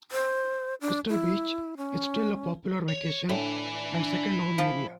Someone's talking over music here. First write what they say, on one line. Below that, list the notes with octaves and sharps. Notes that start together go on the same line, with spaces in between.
Crystal Beach is still a popular vacation and second-home area.
C5
D4
E4
C#4
C#5
A2 D4 E4 G#5
F3 F4 A5